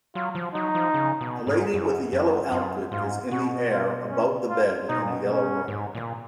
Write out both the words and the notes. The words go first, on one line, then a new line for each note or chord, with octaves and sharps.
A lady with a yellow outfit is in the air above the bed in a yellow room.
F#3 F4
F3
F#3 D#4
F3
C#3
B2
G#2
F#2
F#2
F#2 F4
G#2 F4
B2 F#4
F4
C#4
F4
B2 D#4
A#2
B2
C#4
G#2
A#2